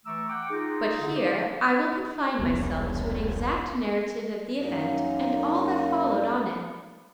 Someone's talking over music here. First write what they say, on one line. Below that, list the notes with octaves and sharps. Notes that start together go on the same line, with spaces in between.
But here I will confine myself to an exact narrative of the event and all that followed on it.
E3 A3 A#5 C#6 D6 E6
F#5 G5 D6
D#4 F4 G#4
D3
G4 C5
E1 C2 B3
F#2 A#3 D#4